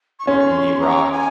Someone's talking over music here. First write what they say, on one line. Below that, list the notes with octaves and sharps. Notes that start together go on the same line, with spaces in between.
or indie rock,
C#6
C#4 C6
C#6
C6
C#6
C6
A#5
G#5